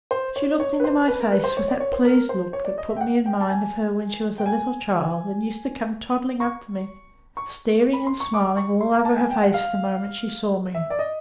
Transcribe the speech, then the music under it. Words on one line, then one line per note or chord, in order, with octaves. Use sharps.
She looked into my face with that pleased look that put me in mind of her when she was a little child and used to come toddling up to me, staring and smiling all over her face the moment she saw me.
C5
C#5
C#5
B4
C5
B4
A#4
B4
C5
C#5
D5
C#5
C5
A#4
C5
C#5
D5
D#5
E5
G5
F#5
G5
A5
G#5
G5
G#5
C#6
C#6
B5
C6
C#6
D6
C#6
C6
A#5
A5
G#5
G5
F#5
F5
E5
D5
D#5